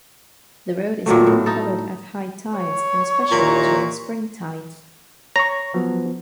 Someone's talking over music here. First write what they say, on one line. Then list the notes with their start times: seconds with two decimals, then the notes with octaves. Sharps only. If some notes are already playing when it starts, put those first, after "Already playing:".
The road is often covered at high tides and especially during spring tides.
1.06 A#2 D#3 F#3 A3
1.27 A2
1.46 D#4 A4
2.58 C#5
3.31 D#2 A#2 E4 A#5
5.36 C#5 A#5 C#6
5.74 F3 F#3 B3